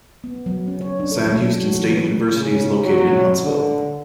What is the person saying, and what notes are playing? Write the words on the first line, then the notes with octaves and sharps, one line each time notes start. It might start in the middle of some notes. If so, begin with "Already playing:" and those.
Sam Houston State University is located in Huntsville.
B3
F#3
C#4
C#5
D4
A4
F#3
F#4
E3
B4
C#3
F#3
D3